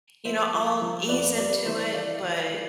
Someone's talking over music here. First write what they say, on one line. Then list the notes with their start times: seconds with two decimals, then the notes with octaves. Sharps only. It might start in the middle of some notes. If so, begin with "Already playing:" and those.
you know, I'll ease into it, but
0.25 F3 C5 E5
0.54 F3
0.82 F3
1.09 F2 B4 D5
1.37 G3 B4 D5
1.65 E3 C5 E5
1.93 E3 D5 F5
2.21 E3
2.50 E3